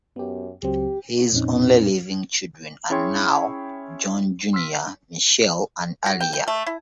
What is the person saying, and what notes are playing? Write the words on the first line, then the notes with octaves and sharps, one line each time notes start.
His only living children are now Jon Junior Michelle and Aria.
F#2 B3 G4
C#2 F#3 C4 G4
F2 A#2 C4 C#4 D#4
C#4 E4 G#4 C#5 G5 C6
C6 E6 F6 B6
F#4
G5
G5
A3
E4